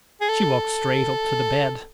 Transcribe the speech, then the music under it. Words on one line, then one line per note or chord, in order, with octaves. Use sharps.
She walked straight up to the bed.
G#4
A4